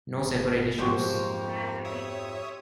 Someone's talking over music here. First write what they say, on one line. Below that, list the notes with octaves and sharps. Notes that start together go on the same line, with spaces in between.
No separate issues.
G#1
F2 G#2 F3 F#3 F#4 G4 C5
A#3
C#5 E5 D#6